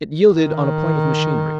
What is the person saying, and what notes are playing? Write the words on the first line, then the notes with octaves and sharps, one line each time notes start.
It yielded on a point of machinery.
D#3